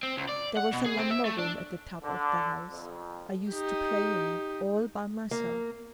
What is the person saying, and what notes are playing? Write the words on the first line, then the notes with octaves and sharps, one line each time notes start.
There was a lumber-room at the top of the house; I used to play in it, all by myself.
C4
C#2
D5
F#5
B2
G#4
C4
E5
A3
D4
D3
F2
D#4 G4
A#3